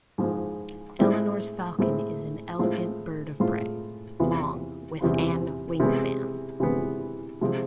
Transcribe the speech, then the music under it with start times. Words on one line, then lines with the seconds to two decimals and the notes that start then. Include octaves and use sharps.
Eleonora's falcon is an elegant bird of prey, long with an wingspan.
0.18 G#2 F3 G#3
0.99 A2 G#3 C4 E4
1.79 A2 G#3 C4 E4
2.59 A2 G#3 C4 F4
3.40 A2 G#3 C4 F4
4.20 E2 C3 E3 B3 F4
5.01 E2 C3 E3 B3 F4
5.80 C3 E3 G#3 B3
6.60 C3 E3 G#3 B3
7.41 C3 F3 G#3 C4